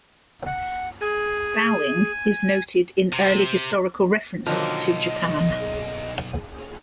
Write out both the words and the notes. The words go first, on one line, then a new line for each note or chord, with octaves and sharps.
Bowing is noted in early historical references to Japan.
F#5
G#4 G#5
C3
B1 D3 D#3 F3 F#3 A#3 D#5